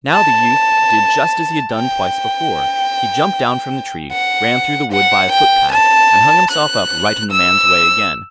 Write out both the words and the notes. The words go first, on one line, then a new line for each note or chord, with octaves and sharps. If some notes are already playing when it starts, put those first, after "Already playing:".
Now the youth did just as he had done twice before; he jumped down from the tree, ran through the wood by a footpath, and hung himself up right in the man's way again.
A5
G5
F#5
F#5
G5
A5
F#6
E6